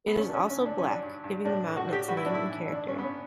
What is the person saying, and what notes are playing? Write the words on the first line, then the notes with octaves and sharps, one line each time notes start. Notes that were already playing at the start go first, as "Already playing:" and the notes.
It is also black, giving the mountain its name and character.
B3
G2 C#4
D4
C#4
F#3
C#4
G2
D4
F#3 C#4
D4
G2
G2
A2 D4
A2
F#4
A2 G4
G3 F#4
E4
D4
A2 E4
E3
G2 D4
G2 C#4
B3
C#4